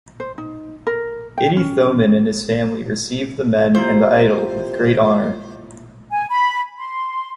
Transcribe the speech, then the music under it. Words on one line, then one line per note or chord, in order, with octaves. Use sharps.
Itty Thommen and his family received the men and the idol with great honour.
C5
D#4
A#4
G5
C#4
C3 A#3 E4 F4 C5
G#5
B5
C6